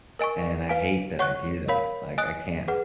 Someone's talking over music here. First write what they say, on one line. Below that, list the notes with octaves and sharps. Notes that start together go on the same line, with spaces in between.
and I hate that I do that, like, I can't
A#4 D#5 G#5 C#6
B4 F5 G#5
C#5 F#5 C#6 F#6
A#4 C#5 F5 B5
D#5 G#5 D#6 F#6
G#4 B4 F#5